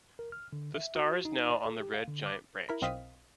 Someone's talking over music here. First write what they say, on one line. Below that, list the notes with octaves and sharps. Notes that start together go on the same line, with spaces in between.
The star is now on the red giant branch.
A#4
F6
D3
E5
F#4
D#4
D5
A4
G4
F5
D3
D6
E4 A#4 B5
B1 C4 D#5 F5 D#6 B6